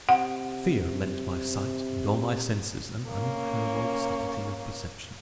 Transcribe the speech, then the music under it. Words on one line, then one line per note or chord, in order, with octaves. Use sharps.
Fear lent my sight, and all my senses, an unheard-of subtlety of perception.
C3 F#5
A#3 C#4